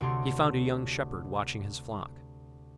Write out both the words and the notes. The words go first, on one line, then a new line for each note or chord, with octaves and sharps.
He found a young shepherd watching his flock.
D2 C3 C#5 D5 C6